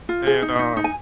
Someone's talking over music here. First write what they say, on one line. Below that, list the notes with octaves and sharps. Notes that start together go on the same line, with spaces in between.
and, um,
F4
G#4
D#4
D#4
D#4
G#5